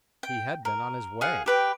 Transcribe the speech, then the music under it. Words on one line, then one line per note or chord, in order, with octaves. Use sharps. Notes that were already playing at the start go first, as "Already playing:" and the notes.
He had been on his way.
G5
A#4
G#4 F5 F#5
G4 B4 G5